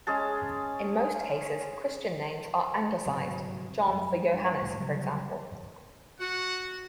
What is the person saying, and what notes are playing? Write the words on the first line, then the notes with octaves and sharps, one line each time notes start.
In most cases Christian names are Anglicised - John for Johannes, for example.
G#3 C#4 G#4 A5
G1 G#2 C3 F#3
F#2 F#3 G3
G2
A1 D2 G#2
C#3 F#3 G3
F#4 F#5